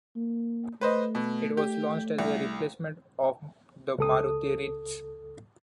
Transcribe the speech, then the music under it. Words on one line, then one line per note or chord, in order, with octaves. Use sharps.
It was launched as a replacement of the Maruti Ritz.
A#3
A3 B4 C5 D#5
B2
G4
C2
C#2 A4 D#6